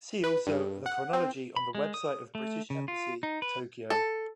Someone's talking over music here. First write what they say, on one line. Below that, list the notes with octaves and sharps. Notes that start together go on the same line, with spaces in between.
See also the chronology on the website of British Embassy, Tokyo.
B4
G2
F#5
C4
B5
G#3
D#6
A3
C#3
F4
D#4
B4
A4